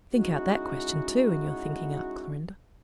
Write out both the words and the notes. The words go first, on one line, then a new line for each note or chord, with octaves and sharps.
"Think out that question, too, in your thinking out, Clorinda."
G#3 C#4 D#4 E4 F#4